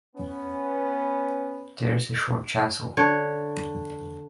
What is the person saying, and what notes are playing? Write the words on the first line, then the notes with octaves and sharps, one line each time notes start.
There is a short chancel.
B3 C#4
D3 C#5